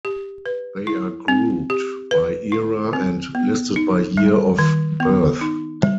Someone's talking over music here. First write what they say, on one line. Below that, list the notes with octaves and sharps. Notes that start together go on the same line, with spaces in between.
They are grouped by era and listed by year of birth.
G4
B4
E4
C4
G4
B4
E4
C4
B3
D#4
G3
D#3
B3
D#4
G3